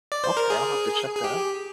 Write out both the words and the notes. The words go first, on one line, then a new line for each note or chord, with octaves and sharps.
Okay, I'll have to check that out.
D5
C5
A#4
G#4
G#4
G4